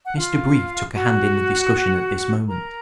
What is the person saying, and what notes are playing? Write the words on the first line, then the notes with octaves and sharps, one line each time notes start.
Mr. Brief took a hand in the discussion at this moment.
F#5
F4 F5
F#4 F#5
A#4 A#5